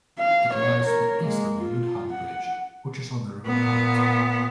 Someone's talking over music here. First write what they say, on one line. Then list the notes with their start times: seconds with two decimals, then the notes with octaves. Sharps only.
It lies to the East of Ludham Bridge, which is on the River Ant.
0.19 F5
0.54 C#5
0.83 A#4 C#5
1.24 G#3 A#3
1.59 F4
2.13 F#5
3.47 A#2 B3